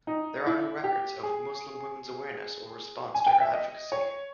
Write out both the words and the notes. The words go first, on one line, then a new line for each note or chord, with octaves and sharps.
There are no records of Muslim women's awareness or response to her advocacy.
D#4
E4
G4
G#4
G#5
G5
E5
D#5
C#5